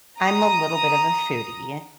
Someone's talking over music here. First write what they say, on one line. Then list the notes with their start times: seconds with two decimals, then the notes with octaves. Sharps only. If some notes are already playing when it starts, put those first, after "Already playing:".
I'm a little bit of a foodie,
0.18 A#5 D#6